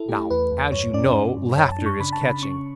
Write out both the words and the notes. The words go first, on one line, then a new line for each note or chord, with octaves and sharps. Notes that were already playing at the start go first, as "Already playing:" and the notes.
Now, as you know, laughter is catching.
Already playing: E4 A4
A3 G4
E2 B4
E2
G2 C#5
C#4 D5
G2
G2
F#2 C#5
A5
D4
C#6
C#3 B5
A5
C#3 B5
C#4 C#6